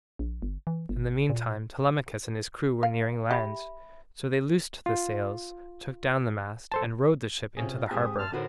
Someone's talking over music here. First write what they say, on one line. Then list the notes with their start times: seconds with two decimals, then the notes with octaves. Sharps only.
In the mean time Telemachus and his crew were nearing land, so they loosed the sails, took down the mast, and rowed the ship into the harbour.
0.19 A#1
0.42 G1
0.67 E3
0.89 G1
1.30 A#2
2.83 F5
3.31 G4 E5 B5
4.86 F4
6.72 A4 C5 A5
7.57 C3 C#4 F4 G#4
7.91 G#2 C4 G4 G#4 D#6
8.19 A5 C6 F6
8.32 A2 D3 D#4 F#4 A#4 C5